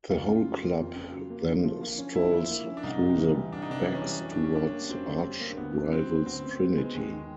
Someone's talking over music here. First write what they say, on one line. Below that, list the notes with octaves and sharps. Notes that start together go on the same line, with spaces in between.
The whole club then strolls through the backs towards arch-rivals Trinity.
F2 F4
C#3
F#3
A#3
F2
C#3
F#3
A#3
D3
F3
A#3
C#4
D3 E4
F3
A#3
C#4
D4
C2 D#4
C3
E3
G3
C2 D4
D#4
C3 D4
E3 D4
C#4
G3 D4
F#2 C#4
D4
D3
C#4
G3 D4
C#4
A#3
F#2 C4
D3
G3
A#3
D2 B3
C#3
F#3 C4
B3
D2 C4
C#3
F#3
G#3 B3
D#2 G#3
D#3